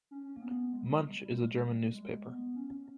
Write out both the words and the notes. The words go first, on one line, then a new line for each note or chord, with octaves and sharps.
Munch in a German newspaper.
C#4
A#3
B3
G#3
G3
G3
G#3
G3
G#3
B3
C#4